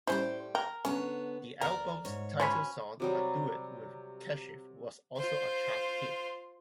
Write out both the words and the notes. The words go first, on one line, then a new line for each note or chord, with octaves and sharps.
The album's title song, a duet with Kashif, was also a chart hit.
A2 G3 C#4 E4 G4 C5
A#4 G5
D3 B3 C#4 C#5
D2 B3 A#4 D5 A#5
G#2 C#5
B2 C#4 C5 B5
C3 F#3 G3
F4 C5